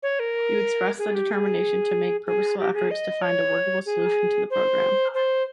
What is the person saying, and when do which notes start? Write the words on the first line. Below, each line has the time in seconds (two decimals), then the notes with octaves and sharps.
You expressed the determination to make purposeful efforts to find a workable solution to the work program.
0.03 C#5
0.20 A#4
0.99 G#4
1.15 G4
1.30 G#4
2.26 G#4
2.59 G4
2.74 G#4
2.91 D#5
3.22 C#5
3.86 G#4
4.50 C5
5.14 C5